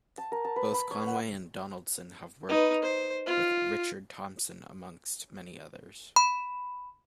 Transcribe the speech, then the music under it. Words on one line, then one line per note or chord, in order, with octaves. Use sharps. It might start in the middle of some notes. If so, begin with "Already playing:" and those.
Both Conway and Donaldson have worked with Richard Thompson, amongst many others.
A5
A#4
A5
B4
B5
C#5
F#5
D#4 B4
C5
F4
B5